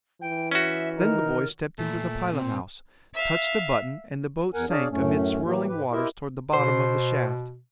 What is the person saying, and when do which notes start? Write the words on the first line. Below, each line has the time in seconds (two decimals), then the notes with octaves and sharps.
Then the boy stepped into the pilot house, touched a button and the boat sank amid swirling waters toward the bottom of the shaft.
0.21 E3 G5
0.51 C#4 F#4 E5
0.98 D#3 D#4 A#4
1.79 A#2 A3
2.32 C4
3.14 E5 F5
4.53 E2 A#4 F#5 G#5
4.70 D4 G#4 C#5 D5 F5
4.91 F#2 A2 A3 C#4
5.45 A2 E3 F#3 A#3 G4
5.67 G#2 G4 B4
5.92 E4 G4 A#4 C5 D#5 E5
6.53 B2 C5